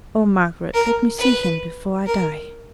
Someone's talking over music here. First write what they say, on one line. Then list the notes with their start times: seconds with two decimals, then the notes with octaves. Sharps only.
Oh, Margaret, let me see him before I die!'
0.74 A#4
1.19 B4
2.06 A#4